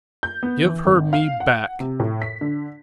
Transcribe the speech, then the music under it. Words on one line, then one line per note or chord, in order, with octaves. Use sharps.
"Give her me back!"
G6
B3
E3
G#1
F5
F#5
C3
A2
B6
D3